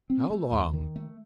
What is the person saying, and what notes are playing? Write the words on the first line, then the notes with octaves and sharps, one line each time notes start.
"How long?"
C4
A3
D#2
D#3
A3